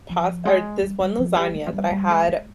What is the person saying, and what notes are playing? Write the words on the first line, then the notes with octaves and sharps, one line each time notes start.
past or this one lasagna that I had,
F3
G#3
G3
G3
F3
G3
G#3
F3
G3
G3
G#3
G#3